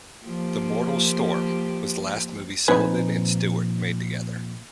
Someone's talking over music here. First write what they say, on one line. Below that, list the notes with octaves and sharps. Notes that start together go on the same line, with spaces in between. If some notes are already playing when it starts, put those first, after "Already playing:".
"The Mortal Storm" was the last movie Sullavan and Stewart made together.
F3 A#3 G4
A#2 F3 C4 D#4 B4 G#5